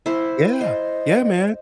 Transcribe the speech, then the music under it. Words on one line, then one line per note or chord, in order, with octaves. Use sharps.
Yeah. Yeah, man.
E4 C5
C5 D#5